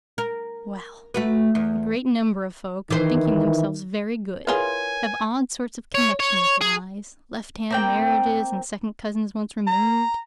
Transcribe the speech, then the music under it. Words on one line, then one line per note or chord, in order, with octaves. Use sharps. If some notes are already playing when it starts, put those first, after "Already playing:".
Well! a great number of folk, thinking themselves very good, have odd sorts of connexion with lies, left-hand marriages, and second cousins-once-removed.
A#4
A3 F#4 B4
E2
D#3 E3 C5
E4 F4 G#4 A#4 B4 C#5 G#5
C#5
C#5
G#4
A#3 C4 G5
A#5